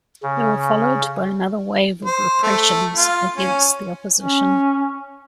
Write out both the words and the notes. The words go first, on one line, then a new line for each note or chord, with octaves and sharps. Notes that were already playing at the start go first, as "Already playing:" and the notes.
They were followed by another wave of repressions against the opposition.
C#3
C5
A3
F4
C#4
C#4